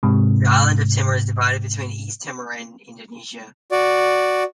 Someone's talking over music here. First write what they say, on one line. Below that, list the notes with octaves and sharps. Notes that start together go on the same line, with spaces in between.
The island of Timor is divided between East Timor and Indonesia.
G#2 C3
F#4 D5